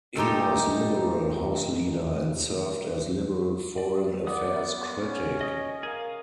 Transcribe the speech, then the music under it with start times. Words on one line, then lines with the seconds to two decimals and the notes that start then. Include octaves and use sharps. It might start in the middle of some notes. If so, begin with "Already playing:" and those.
He was Liberal House Leader and served as Liberal Foreign affairs Critic.
0.15 A#2 A3 D#4 G4
3.78 D5
4.27 B3 D5 F#5 D#6
4.96 C#4
5.41 D#5 D#6
5.83 G#4 A#4 F5